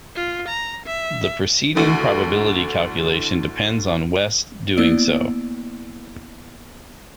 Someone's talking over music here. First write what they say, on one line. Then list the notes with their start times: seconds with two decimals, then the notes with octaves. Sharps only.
The preceding probability calculation depends on West doing so.
0.15 F4
0.49 A#5
0.86 E5
1.75 D2 D3 E3
4.77 A#3 B3 E4 D5 E6 D7